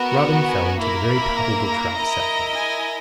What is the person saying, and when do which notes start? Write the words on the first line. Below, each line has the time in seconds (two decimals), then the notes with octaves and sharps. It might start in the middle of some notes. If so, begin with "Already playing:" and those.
Robin fell into the very palpable trap set for him.
Already playing: B3 F#4 A#4
0.20 F#5
0.49 G#5
0.79 A#3 E4 A#4 B5
1.08 B5
1.37 A#5
1.67 A#5
1.96 E4 A#4 D#5
2.55 G#5